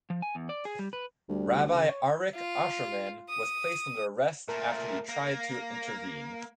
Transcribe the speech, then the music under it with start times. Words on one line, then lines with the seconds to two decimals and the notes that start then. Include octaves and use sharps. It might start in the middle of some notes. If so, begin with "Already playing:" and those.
Rabbi Arik Ascherman was placed under arrest after he tried to intervene.
0.10 F3
0.22 G#5
0.35 E2
0.49 D5
0.65 G#4
0.79 G3
0.93 B4
1.29 D2 G3
1.74 C#3
1.89 C#5
2.35 F4
3.29 D#6
4.48 A#2 A3 A#4
5.09 A#3 A#6